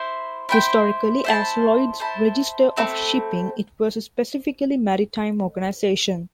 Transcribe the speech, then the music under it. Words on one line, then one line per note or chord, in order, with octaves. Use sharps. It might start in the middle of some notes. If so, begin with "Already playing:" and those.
Historically, as Lloyd's Register of Shipping, it was a specifically maritime organisation.
Already playing: E4 C5
E4 C5 G5
E4 C5 A5
E4 C5 A5
A3 C4 E4